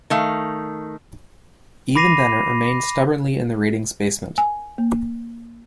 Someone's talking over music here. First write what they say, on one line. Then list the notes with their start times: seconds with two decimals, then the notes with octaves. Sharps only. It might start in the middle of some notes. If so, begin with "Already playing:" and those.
Even then, it remained stubbornly in the ratings basement.
0.10 D#3 A3 F5
1.96 B5 D6 A#6 C7 D#7 F7
4.38 G#5
4.78 A#3